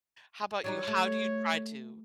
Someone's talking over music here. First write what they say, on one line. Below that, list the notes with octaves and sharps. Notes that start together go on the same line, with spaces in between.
How 'bout you? How do you try to,
F#3 G3 D#4 C#5
A3